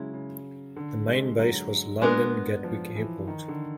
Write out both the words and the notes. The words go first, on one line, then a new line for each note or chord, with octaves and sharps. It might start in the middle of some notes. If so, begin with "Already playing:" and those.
The main base was London Gatwick Airport.
Already playing: C#3 F#3 G#3 E4
C#3
D3
G#3
F#3
G#3 B3 D4 F#4 A#4
F3
E3
D#3
D3